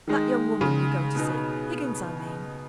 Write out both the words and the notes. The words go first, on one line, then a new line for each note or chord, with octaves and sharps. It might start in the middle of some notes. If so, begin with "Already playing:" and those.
'That young woman you go to see--Higgins, I mean.'
D#3 G#3 D#4
C#3
B2 B3 D#4